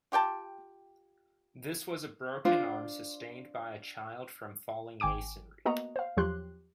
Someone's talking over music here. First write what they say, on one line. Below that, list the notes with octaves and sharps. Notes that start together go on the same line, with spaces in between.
This was a broken arm sustained by a child from falling masonry.
F4 G4 G5 A5
D4 F4 C5
G#1 G5 G#5 D6 D7
A#3 B3 F#4 D#5 F#5 A#5
C5 F5
E2 F3 F#3 G4 C6 F#6